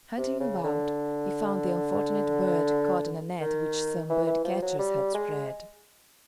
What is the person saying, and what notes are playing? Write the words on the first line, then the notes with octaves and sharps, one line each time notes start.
Hunting about, he found the unfortunate bird caught in a net which some birdcatchers had spread.
C3
C#3
D3
D#3
E3
E3
F3
F#3
G3
G#3